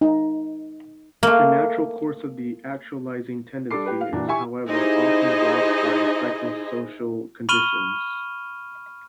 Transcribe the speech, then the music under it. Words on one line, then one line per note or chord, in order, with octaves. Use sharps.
The natural course of the actualising tendency is, however, often blocked by psychosocial conditions.
D#4
A3 A#3
G3 D4 A4 D6 C7
G4 B4
F5
A#2 E3 D4 F#4
E4 G4 E5 G#5 C#6
D#4 E4 G4 G#4 C5 D#5
B5 C#6 F6 D#7 F7 G7